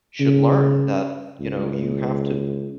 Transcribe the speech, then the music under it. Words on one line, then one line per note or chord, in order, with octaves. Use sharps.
should learn, that, you know, you have to
C#3
C#2